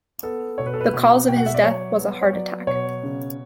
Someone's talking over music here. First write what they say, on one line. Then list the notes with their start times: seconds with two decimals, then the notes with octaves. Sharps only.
The cause of his death was a heart attack.
0.23 B3 A4
0.58 B2 C#5
0.66 B4
0.74 A4
0.81 B4
0.94 B2
1.28 B2 G5
1.37 F#5
1.46 E5
1.54 D5
1.63 F#3 C#5
1.99 B3
2.21 C#5
2.33 F#3 D5
2.67 B2 C#5
3.03 C#3